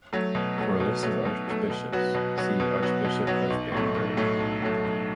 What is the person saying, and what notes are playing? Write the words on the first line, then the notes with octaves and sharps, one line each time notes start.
For a list of archbishops, see Archbishop of Bamberg.
F#3 A3
B2
F#3 A3
B2
F#3 A3
B2
F#3 A3
B2
F#3 B3 F#4
B2
F#3 B3 F#4
B2
F#3 B3 F#4
B2
F#3 B3 F#4
B1
A2 F#3 A3
B1
A2 F#3 A3
B1
A2 F#3 A3
B1